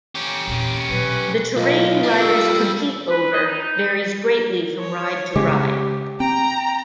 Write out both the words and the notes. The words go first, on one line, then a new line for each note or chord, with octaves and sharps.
The terrain riders compete over varies greatly from ride to ride.
C#4 G4
E2 A#2
B2 F#3 B4
B1 F4 D#5
G3 D4
A4
B4
D#5
D#4
C#5
C#3 G#3 G4
C4 G5 A#5